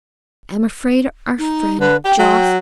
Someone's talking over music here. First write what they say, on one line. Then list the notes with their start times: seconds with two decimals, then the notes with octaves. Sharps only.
I am afraid our friend Jos.
1.39 D#4
1.80 D3 B4
2.05 G4 G5
2.19 F#3